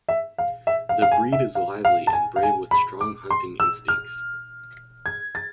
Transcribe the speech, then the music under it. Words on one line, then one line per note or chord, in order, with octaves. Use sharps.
The breed is lively and brave with strong hunting instincts.
E5
F5
E5
F5
F5
G#5
E5
F5
F5
A5
G#5
F5
G#5
B5
D6
C6
E6
F6
G#6
A6